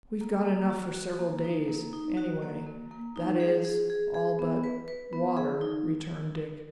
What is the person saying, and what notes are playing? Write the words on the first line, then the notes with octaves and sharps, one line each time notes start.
"We've got enough for several days, anyway--that is, all but--water," returned Dick.
A#3
A#3
F#4
F#4
A#3
D#4
A#3
D#4
F#4
A#3
A#3
A#3
D#4
G#4
G#4
G#4
G#4
B3
B4
B4
B3
G#4
D#4